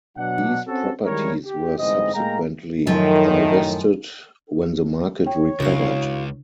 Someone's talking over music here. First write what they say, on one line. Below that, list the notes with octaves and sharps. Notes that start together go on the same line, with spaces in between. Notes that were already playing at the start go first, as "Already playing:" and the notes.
These properties were subsequently divested when the market recovered.
B2 F#3 D4 F#5
C4 C#4 F#4 A4
D#3 G3 G#3 E4 A#4 C#5
G4
G1 C2 G#2 E3 C4 D#5
A2 G#3 A#3 F5 G5 A#5
F#2 A2 D#3 F3
C#5 G5
C#2 C#3 D4 E4 F#4 F5